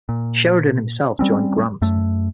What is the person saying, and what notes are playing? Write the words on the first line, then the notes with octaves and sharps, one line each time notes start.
Sheridan himself joined Grant.
A#2
G3 C4 C#4
F#2 A3